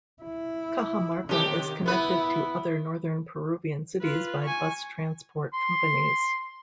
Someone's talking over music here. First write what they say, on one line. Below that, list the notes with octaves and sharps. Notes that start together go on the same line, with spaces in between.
Cajamarca is connected to other northern Peruvian cities by bus transport companies.
E4
C3 D#3 G4
B3 E4 B4
F4 B4
G#5 C#6
C6